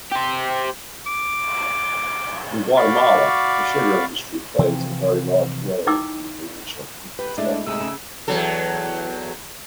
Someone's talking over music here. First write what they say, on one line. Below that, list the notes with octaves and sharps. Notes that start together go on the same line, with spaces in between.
In Guatemala, the Sugar industry plays a very large role in the financial infrastructure.
G4 C5
D6
F#4 D5 F5 B5 C#6 D6
C3 E3 F3 C4
D#4 E4 G5 D6 E6
G4 B4
G#3 A3 D4 E4
C3 G#3 A3 D#4 G#4 E6
C#3
E2 F#3 A4